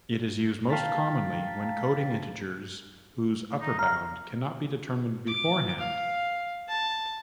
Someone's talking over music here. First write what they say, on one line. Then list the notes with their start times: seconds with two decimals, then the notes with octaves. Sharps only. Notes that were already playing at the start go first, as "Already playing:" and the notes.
It is used most commonly when coding integers whose upper-bound cannot be determined beforehand.
0.69 F5 G5 A5 A#5 A6 B6
3.61 D#4
3.79 F5 A#5
5.27 D6
5.79 F5
6.68 A5